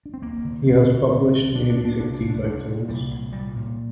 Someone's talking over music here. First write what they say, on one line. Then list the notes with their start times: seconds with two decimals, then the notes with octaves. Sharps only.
He has published nearly sixty titles.
0.06 D4
0.14 C4
0.22 D2 A#3
0.44 D3
0.66 D3
0.89 D3
1.11 D3 C4
1.33 D2
1.55 D2 D4
1.70 D4
1.77 D2
1.85 D4
2.00 C2 D4
2.14 D4
2.22 C2
2.29 D4
2.44 C2 D4
2.67 A#2
2.88 C2 G3
3.11 C2
3.32 A#2 G3
3.56 A#2